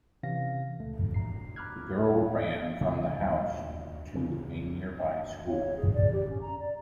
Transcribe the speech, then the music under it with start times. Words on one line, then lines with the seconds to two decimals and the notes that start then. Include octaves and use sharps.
The girl ran from the house to a nearby school.
0.23 C3 E3 C#4 F5 A#6
0.79 C#2 A#2 A3
1.14 A#5 C7
1.56 A#5 B5 D6 F6 F#6 G#6
2.10 C#5
2.81 C#3 G#3 A3
3.20 D#2 A#2
4.15 C#3
5.48 C#5
5.77 G#4
5.94 D5
6.12 G4
6.29 C#4
6.42 A#5
6.59 D5